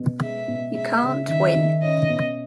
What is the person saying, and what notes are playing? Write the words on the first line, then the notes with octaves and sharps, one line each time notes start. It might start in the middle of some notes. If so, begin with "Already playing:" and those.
You can't win.
Already playing: B2
G#3 E5
B2
G#3 E5
C#3
D#3 E5
D#3
C#4 D#5
B2